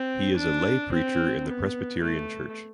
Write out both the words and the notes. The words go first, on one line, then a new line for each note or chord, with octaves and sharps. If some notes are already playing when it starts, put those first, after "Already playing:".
He is a lay preacher in the Presbyterian Church.
Already playing: C4
D4
C4
B3
A3